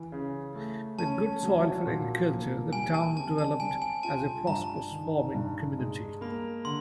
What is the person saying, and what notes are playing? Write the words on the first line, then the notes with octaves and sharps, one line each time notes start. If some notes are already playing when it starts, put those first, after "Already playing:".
With good soil for agriculture, the town developed as a prosperous farming community.
Already playing: E3 G#5
C#3
A3
C#4 A5
F#3
A#2
A#3
G3 G#5
A5
C4 A5
A5
G3 G#5
G#5
F4 A5
G2 A#5
D#3
G2
G#3
A#3 B5
D3 C6